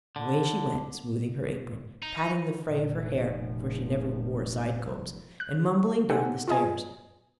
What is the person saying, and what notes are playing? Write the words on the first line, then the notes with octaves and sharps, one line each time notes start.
Away she went, smoothing her apron, patting the fray of her hair--for she never wore side-combs--and mumbling down the stairs.
D3
D#4
F1 A#2 F3
F#6
D#4 G4 A4 C5 F#5 G#5
F4 G#4 D#5 G#5